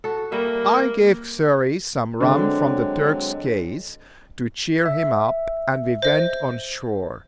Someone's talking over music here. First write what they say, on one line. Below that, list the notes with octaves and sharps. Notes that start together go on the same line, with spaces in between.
I gave Xury some rum from the Turk's case to cheer him up, and we went on shore.
F#4 A4
G3 A#3 E5
D3 F#3 G#3 C4
E5
C5 D#5